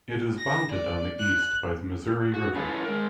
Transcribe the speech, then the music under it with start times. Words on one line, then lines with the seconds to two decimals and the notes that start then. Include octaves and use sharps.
It is bounded on the east by the Missouri River.
0.38 A#6
0.72 D5
1.19 F#6
2.34 F#4
2.55 C#4 E4 F4 A4 B4 C#5
2.84 G#3 A#4